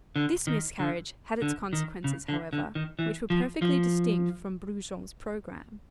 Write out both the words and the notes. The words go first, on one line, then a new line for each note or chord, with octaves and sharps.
This miscarriage had its consequences, however, which were perfectly distinct from Brujon's programme.
D3
D#3
D3
D3
D#3
C#3
D3
D3
D#3
E3
F3
F3